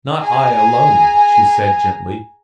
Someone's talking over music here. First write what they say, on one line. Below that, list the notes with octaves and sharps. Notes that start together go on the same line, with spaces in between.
"Not I alone," she said gently.
G#4 G#5 A#5